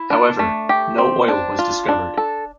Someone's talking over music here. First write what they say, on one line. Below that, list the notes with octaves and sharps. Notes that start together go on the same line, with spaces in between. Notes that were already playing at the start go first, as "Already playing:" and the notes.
However, no oil was discovered.
Already playing: E4
D4
A3
G4
C4
D4
F4
D4
A4